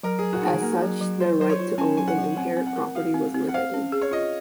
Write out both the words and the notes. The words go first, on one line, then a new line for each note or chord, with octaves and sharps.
As such, their right to own and inherit property was limited.
F#3 A#4
F#3 G#4
F#4
D#4
G#4
A#3 A#4
F#3
F#3
F#3 C5
F#3 C5
C#5
F4
C#4 G#5
F#3 G#5
F#5
F#3
C4 F#5
C4
F#5
A#4
F#4 F5
C4
C4
F#5
C5 F5
C#4
G#4
C#5
F4 D#5